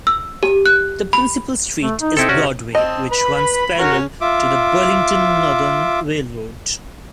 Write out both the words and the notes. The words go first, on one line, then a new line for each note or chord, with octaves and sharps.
The principal street is Broadway, which runs parallel to the Burlington Northern Railroad.
E6
G4
F#6
B5
A3
D#4
C4 D#4 E4 A4
C3 C#4 F#4 D5
C4 D#5 A5
B4 B5
C#4 F#4 A#4 C#5
F4 E5 D6